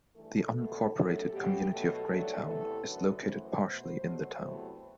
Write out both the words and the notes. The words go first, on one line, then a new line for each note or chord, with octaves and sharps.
The unincorporated community of Graytown is located partially in the town.
G2 E3 A3 A4
B2 A3
F#2 F#3 A3 A4
B2 F#3 A3 G4
B2 F#3 A3 A4
G2 F#3 A3
E2 C3 E3 A3 A4
F#2 D3 F#3 A3 B4
F#2 E3 A3 C5
B2 A3 C5
B2 F#3 A3
E2 C3 F#3 A3 B4